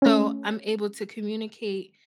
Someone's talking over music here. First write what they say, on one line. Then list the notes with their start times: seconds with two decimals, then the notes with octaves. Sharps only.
so, I'm able to communicate
0.02 A3 C#4